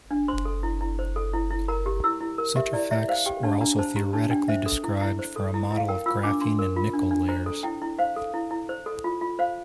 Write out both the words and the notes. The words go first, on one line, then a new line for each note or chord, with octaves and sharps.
Such effects were also theoretically described for a model of graphene and nickel layers.
D4
C5 C6
A4
E4
E4
C5
A4
E4
E4
A#4 A#5
G4
E4 E6
E4
A#4
G4 E5
E4 D5
E4 E5
C5 F5
G4 G5
D4 A5
D4 A#5
C5 A5
G4 A#5
D4 A5
D4 G5
C5 E5
A4
E4
E4
C5
A4
E4
E4
F5
A#4 G5
F4 E6
D4 D6
D4 C6
A#4
F4
D4
D4
C5 A#5
A4
E4 G5
E4
C5 F5
A4
E4
E4
C5
A4
F4
F4
C5 F5